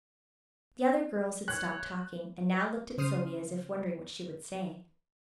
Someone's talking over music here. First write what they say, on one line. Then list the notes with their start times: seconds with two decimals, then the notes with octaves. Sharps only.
The other girls had stopped talking, and now looked at Sylvia as if wondering what she would say.
1.48 C#5 F#6
2.98 C#3 C5 D#6 F6 C7 D#7